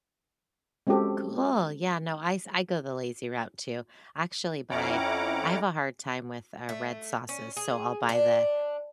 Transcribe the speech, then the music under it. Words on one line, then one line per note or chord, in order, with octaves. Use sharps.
Cool. Yeah, no, I s I go the lazy route too. I actually buy I have a hard time with, uh, red sauces, so I'll buy the
G#3 C4 C#4 F#4 G4 A4
F2 C#4 E4 F#5 A#5 D6
A3
C#4
G#4
D4